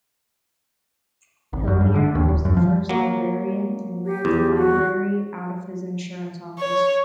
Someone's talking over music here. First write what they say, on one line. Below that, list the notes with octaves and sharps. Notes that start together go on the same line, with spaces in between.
Hillyer was the first librarian and ran the library out of his insurance office.
G#1
F#2
G2
D3
D#2
D1
F#2
F3
F#3 A#3
G4
E2
F#4
C#5